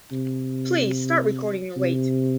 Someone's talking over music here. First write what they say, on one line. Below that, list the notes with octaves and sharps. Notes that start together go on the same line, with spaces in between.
Please start recording your weight.
C3
C3